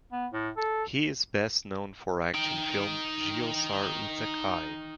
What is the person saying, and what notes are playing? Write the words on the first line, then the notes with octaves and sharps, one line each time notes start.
He is best known for action film Geo Sar Utha Kay.
B3
A2
A4
D#4 G5